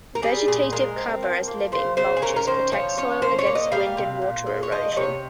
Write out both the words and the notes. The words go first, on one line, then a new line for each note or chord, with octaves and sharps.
Vegetative cover as living mulches protect soil against wind and water erosion.
A#4
G3 G#4
A#2 G#4
G#3 A#4
C4
F3
A#3
C#3 C5
C#3 C5
G#4
C#4 A#4
A#4
D#3 C5
F3 C#5
C#4 C#5
C#4 C5
C#5
A#3
D#5
G3 F5
C3
A#2
G#3
C#5
F3 D#5
D#5
C3 C#5